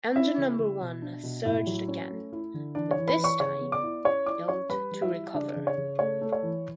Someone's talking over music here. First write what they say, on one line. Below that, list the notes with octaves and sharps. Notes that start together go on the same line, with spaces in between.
Engine number one surged again, but this time failed to recover.
C#4 E4 E5
C#3
C#3
B2
D4
B2
A2 E4 E5
F#3
C#4
A3
E4
D3
E3 D4 D5
C#5
E3
B4 B5
E3
C#5 C#6
C#3 C#5 C#6
B3
D5 D6
E4
C#4 C#5 C#6
E4 D5 D6
C#4 C#5 C#6
G3 B4 B5
G3
E4 E5
G3
C#3 D4 D5
C#3
C#5
C#3
A3 C#5
A3
C#5
E3